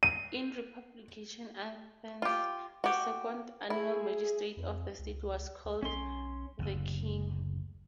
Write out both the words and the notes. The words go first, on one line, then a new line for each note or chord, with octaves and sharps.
In republican Athens the second annual magistrate of the state was called the King.
D#7
F4 G4
F#4 G4
E4 G#4
F2
C#2
D2
B1 C#4 C6
F#1 D2